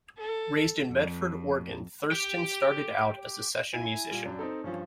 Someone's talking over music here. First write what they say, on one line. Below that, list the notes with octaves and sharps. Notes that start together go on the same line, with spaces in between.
Raised in Medford, Oregon, Thurston started out as a session musician.
A4
F2
G4 G5
E4 G#5
A#2 G3
F#2 D4
C4 D#4 A4
G2 F3 C#4